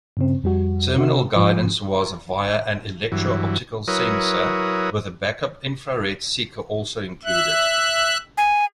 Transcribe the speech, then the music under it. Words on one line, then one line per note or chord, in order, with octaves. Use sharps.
Terminal guidance was via an electro-optical sensor, with a backup infrared seeker also included.
G2 C#3 C4
F2 G3 F#4
C3 F#4 E5
G#2 F3
G2 E3 F#3
F#3 E4 A#4 B4 C#5 D#6
E5 F#6
G#5